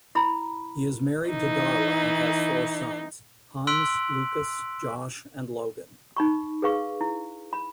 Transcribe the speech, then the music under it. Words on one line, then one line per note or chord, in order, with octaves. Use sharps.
He is married to Darla and has four sons: Hans, Lucas, Josh, and Logan.
E4 A#5 B5
E3 D#4
C6 E6 F#6 B6 D7 F#7
D#4 B5 C#6
G#4 B4 F5 C#6
E4
B5